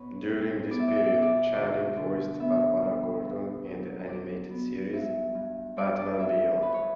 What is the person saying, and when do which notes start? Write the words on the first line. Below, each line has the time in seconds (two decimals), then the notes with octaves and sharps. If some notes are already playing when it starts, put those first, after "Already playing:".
During this period, Channing voiced Barbara Gordon in the animated series, "Batman Beyond".
Already playing: B2 B4 C#5
0.28 G3
0.70 B3 D5
0.80 E5
0.88 D5
0.96 E5
1.06 D5
1.12 B2 E5
1.22 D5
1.55 D2 D5
1.97 D3
2.40 B3 E5
2.82 G3
3.25 G2
3.66 F#3
4.08 F#3 D5
4.51 B3
4.93 G2 E5
5.35 G2
5.77 G2 D5
5.99 D5
6.19 G2 E5
6.62 G2 B4
6.74 C#5